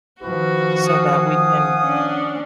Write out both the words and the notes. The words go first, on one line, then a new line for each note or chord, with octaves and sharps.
so that we can,
D#3 F3 F#4 B4
F5 F#5 G#5 D#6
C#4 D4